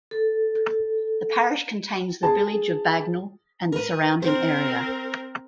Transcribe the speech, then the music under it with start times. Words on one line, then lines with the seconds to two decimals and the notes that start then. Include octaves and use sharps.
The parish contains the village of Bagnall and the surrounding area.
0.11 A4
2.23 G#4 A5
3.72 A#4 B4
4.22 C4 A#4 C5